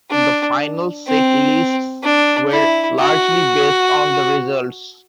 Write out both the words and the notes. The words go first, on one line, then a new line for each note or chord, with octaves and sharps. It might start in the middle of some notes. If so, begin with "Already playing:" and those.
The final set lists were largely based on the results.
D4
C4
D4
E4
F#4